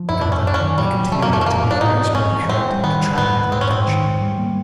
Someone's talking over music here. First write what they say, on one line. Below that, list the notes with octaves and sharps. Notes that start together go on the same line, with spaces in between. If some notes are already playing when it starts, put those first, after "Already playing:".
Evidently my continued activity on the iceberg had attracted their attention.
Already playing: F3
F#2 E4
D4
F#2
C#4
F#2 D4
C#4
D#3
F#3 G3
F#3
F#3 A3
A#3
F#2 A3
A3
E3 A#3
G#2
D4
G#2 D#4
C4
G#2 C#4
E3
G3 C4
G3
D#3 B3
G3
G#2 B3
G#2
G#2 C4
C#4
G#2 C4
D#3
G#2
G3
A#3